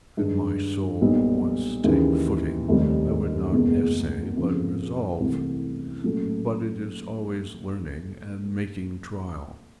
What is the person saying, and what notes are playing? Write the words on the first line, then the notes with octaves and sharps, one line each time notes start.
Could my soul once take footing, I would not essay but resolve: but it is always learning and making trial.
G2 D#3 G#3
B1 A#2 G3 B3
D#2 C#3 E3
F1 D#2 D#3 G3 C4
F#1 E2 B2 G#3
G1 F2 C#3 F3
C2 C3 E3 A3
A#2 F#3 A3 C#4